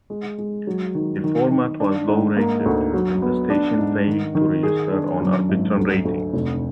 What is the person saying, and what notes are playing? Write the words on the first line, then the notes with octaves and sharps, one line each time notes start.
The format was low-rated, and the station failed to register on Arbitron ratings.
G#3
G#3
F#3
D#3
D#3
D#3
D4
G#2
A#3
D2
F#3
B3
D4
G#2
D#3
D#3
G#4
D4
F#2
G#1
D2
D2
F1